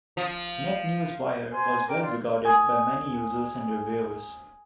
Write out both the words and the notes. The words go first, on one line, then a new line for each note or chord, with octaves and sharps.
NetNewsWire was well regarded by many users and reviewers.
F3
C5 G#5
A#4 G5 D6
F4 D5
G#5 D#6